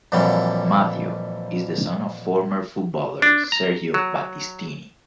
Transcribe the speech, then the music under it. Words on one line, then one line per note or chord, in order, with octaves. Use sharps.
Matteo is the son of former footballer Sergio Battistini.
F2 A#2 D3 E3 F#3 G3
D4
A#5
F#3